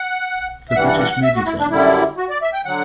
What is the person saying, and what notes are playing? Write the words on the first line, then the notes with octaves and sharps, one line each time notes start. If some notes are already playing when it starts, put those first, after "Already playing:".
For British Movietone.
Already playing: F#5
E5
G2 E3 G3 F#5
F#5
F#5
F#5
E5
F#4
E4
D4
F#2 D3 G3 E4
F#4
D5
E5
G5
D3 F#3 F#5